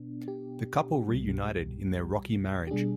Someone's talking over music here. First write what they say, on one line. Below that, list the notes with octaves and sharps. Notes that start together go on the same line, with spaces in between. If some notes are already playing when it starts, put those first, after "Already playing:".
The couple reunited in their rocky marriage.
Already playing: B2 B3 D4
G4
C2 B2 G3
G4
B2 G3 D4 G#4